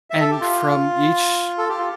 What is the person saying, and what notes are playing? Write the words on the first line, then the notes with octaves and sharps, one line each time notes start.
and from each
E5
A4
G4
F4
A4
G4
F4